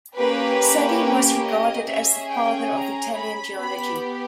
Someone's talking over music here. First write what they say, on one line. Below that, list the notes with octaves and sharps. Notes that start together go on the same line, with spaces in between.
Savi was regarded as the father of Italian geology.
A#3 C#4 G4 B4
D#5
C#4 G#4 E5
G5
A#5
B5
B3 G4 B5